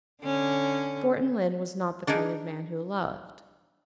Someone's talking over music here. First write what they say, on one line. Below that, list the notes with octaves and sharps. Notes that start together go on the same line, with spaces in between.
Thornton Lyne was not the kind of man who loved.
D3 C#4
D4 D#4 G#4 A#4